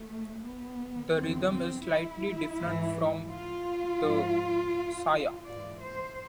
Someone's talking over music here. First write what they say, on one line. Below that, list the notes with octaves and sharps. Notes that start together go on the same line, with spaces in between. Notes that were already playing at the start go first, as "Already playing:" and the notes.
The rhythm is slightly different from the 'Saya'.
Already playing: A3
B3
E2 D3 F3 C4
C4
E4
G#2 E3
F4
G#2 F3
G#2 E3 D5
C5